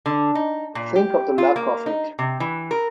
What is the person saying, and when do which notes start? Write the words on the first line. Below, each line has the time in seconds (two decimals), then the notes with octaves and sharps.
Think of the luck of it.
0.06 D3
0.35 D#4
0.75 A#2
0.96 G4
1.38 F4
1.56 A#3
1.86 D#4
2.19 C3
2.40 E3
2.71 A#4